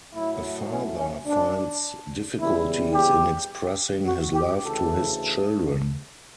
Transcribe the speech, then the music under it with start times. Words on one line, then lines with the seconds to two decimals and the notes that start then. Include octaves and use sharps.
A father finds difficulties in expressing his love to his children.
0.14 A2 F#3 A3 E4
0.70 C#4
0.97 C#4
1.26 D4
2.38 E2 C#3 G3 E4
2.94 G4
4.06 F#4
4.34 G4
4.62 D2 C#3 E3 A4